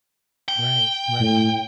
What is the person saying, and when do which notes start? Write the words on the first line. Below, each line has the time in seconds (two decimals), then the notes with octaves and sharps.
Right, right.
0.48 G5
1.19 A2